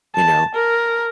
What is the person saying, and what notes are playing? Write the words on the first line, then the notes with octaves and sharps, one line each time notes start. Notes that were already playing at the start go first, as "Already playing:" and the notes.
you know,
A5
A#4